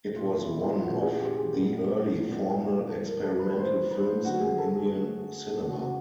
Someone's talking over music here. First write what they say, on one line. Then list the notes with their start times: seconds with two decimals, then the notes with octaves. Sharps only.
It was one of the early formal experimental films in Indian cinema.
0.15 A#2 F3 A3 C#4 F4
0.38 E4
0.62 F4
0.84 A#2 F3 A3 C#4 F#4
1.01 G#4
1.19 G4
1.35 G#4
1.51 A#2 F#3 B3
2.21 A#2 F#3 B3
2.88 E3 G3 C4 A4
3.06 A#4
3.23 A4
3.39 B4
3.56 E3 G3 C4 C5
3.91 B4
4.25 D3 F#3 A3 C4 F#4
4.41 G#4
4.58 A4
4.75 G#4
4.93 D3 F#3 A3 C4
5.60 C#3 E3 A3 F#4
5.77 F#4